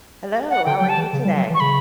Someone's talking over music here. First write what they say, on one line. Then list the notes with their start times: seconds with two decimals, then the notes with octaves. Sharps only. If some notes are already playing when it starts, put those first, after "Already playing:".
Hello, how are you today?
0.50 F#5
0.65 D3 G5
0.78 F#3 G5
0.89 A5
0.97 E3
1.13 C#3
1.25 G3
1.37 F#3
1.49 E3
1.55 C#6
1.60 C#3 B5